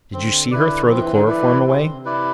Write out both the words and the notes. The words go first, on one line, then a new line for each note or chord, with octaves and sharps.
"Did you see her throw the chloroform away?"
D3 C4
E4 B4 D5
F3 C4
E3
D3
E3 E4 B4 D5
C3 C4
D3
C3
E4 B4 D5